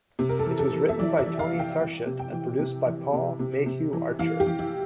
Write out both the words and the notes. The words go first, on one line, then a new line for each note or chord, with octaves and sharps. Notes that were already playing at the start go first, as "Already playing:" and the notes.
It was written by Tony Sarchet and produced by Paul Mayhew-Archer.
C3
A#4
A4
E3
A4
E3
E5
E3 D5
E5
E3
F5
E3
G5
E3
C3
G5
E3
C3
E3
C3
C3
C3
E3
E3 F5
G4
E3
E4